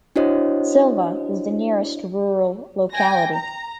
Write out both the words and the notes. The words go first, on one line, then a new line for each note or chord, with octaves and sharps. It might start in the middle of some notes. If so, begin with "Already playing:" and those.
Sylva is the nearest rural locality.
D4 E4 F#4 C5 C#5 D#5
G5 G#5 A#6
A#5